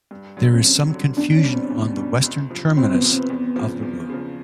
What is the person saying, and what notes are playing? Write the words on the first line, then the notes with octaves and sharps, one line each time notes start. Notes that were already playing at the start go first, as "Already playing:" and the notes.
There is some confusion on the western terminus of the road.
G2
D3 F#3
C4
G2 C#4
D3 F#3
E2 D4
C#4
B2 G3
C4
E2
B2 G3
C#2
C3 F3
C#2 C4
B3
C3 F3
C4
E2
C#3 F3
E2
C#3 F3